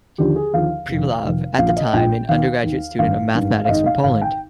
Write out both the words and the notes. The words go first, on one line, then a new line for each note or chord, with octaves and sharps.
"Privalov", at that time, an undergraduate student of mathematics from Poland.
D#2 D3 F3 G4
G#4
D#2 D3 F3 F5
F1 F2 D#3
F1 F2 D#3
A#1 A#2 F3 F5
F5
D#5
A#1 A#2 F3 G5
D#2 D#3 F5
D#2 D#3
G#1 G2 D#3 F5
G#1 G2 D#3
F5
G#1 G#2 D#3 D#5
F5
G#1 G#2 D#3 F5
G5